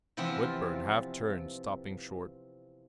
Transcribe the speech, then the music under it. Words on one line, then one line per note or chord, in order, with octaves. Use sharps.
Whitburn half-turned, stopping short.
C3 E3 F3 B3 C4 F4